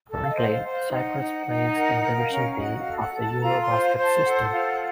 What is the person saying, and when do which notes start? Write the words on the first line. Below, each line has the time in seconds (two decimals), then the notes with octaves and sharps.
Currently, Cyprus plays in Division B of the EuroBasket system.
0.09 A4
0.24 F5
0.29 D#5
0.36 C5
0.42 F#5
0.50 F5
0.64 C5 F#5
0.71 F5
0.92 D#4 F#5
1.20 D#4
1.48 D#4
1.75 A#4 F#5
2.03 A#4
2.17 F5
2.31 C#4
2.58 F#4 D#5
2.79 F5
2.86 A4
3.00 F#5
3.14 A4
3.21 A5
3.41 F4 A#5
3.62 C6
3.69 C5
3.96 C5
4.03 A5
4.25 A4 F#5
4.52 F4